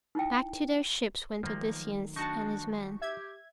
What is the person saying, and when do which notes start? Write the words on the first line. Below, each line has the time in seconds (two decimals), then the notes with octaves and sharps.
Back to their ships went Odysseus and his men.
0.15 D#4 E4 G5
1.43 D#3 F3 F#3 A3 A#3
2.16 D4 D#4 F#4 A5 C#6
3.02 G4 E5 G#6